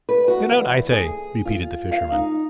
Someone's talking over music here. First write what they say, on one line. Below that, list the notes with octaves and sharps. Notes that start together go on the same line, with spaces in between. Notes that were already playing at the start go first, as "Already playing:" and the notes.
"Get out, I say!" repeated the Fisherman.
B4
F#4
E2
G#4
F4
F5
D#4